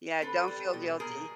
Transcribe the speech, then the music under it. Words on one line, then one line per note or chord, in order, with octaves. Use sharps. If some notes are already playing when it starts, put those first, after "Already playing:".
Yeah, don't feel guilty.
C4 A4 B4
G3
B2
B2 G#4 A#4